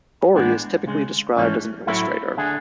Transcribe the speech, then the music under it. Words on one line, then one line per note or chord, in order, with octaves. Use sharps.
Gorey is typically described as an illustrator.
A2 E3 G#3 B3 D4
D2 C#3 G#3
G#2 E3 A3 C#4
A2 F#3 A3 E4
D3 A3 D4 G#4